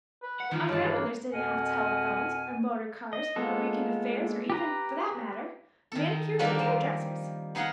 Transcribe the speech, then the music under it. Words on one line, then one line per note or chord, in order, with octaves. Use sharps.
Our grandmothers didn't have telephones, or motor-cars, or week-end affairs, or even--for that matter--manicures and hair-dressers!
B4
F#5
D#3 E3 D#4 F4
G2 G#3 C#5 E5 A5
A#3 B4 E5 F5
F2 B2 A#4 F#5 G#5
D#5
G#3 A#3 B3 F4 A4
G4 B4 A#5
D#3 A4
D3 D#3 F3 G3 A#3 C4
C4
B3 D#4 G#4 F5 F#5